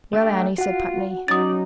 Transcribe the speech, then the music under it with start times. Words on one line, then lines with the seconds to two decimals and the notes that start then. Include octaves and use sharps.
"Well, Annie," said Putney.
0.13 A3 D4 G4
0.58 F4 F#4 F#5
1.28 F#3 C#4 D#4 D5 D#6 A6